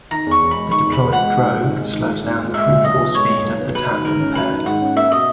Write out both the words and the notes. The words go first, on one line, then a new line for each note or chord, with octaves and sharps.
The deployed drogue slows down the free-fall speed of the tandem pair.
D#3 A#5
E2 C#6
E1
G#3 B5
D#3 C#6
E2
B5
E1
G#3 F#5
D#3
G#2
G#1
G#3
D#3
G#2
G#1
G#3
G#3 E5
A#2
B1 D#5
B3
G#3 C#5
A#2
B1
B3
F#3 B4
D#3
G#2 A#4
C#4
F#3 B4
D#3
G#2 F#5
C#4
A#3 E5
B2 D#5